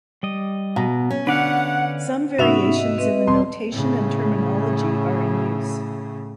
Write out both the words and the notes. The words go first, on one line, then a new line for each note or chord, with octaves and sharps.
Some variations in the notation and terminology are in use.
G3 D#5
B2 F5 A#5
C#4
D3 D4 B4 D5 F5 F#5
G#2 C3 B3 C#4 D#4 F#4 E5 F7
D#5
C4 B4 D#5
E1 F2 C6
A2 C#3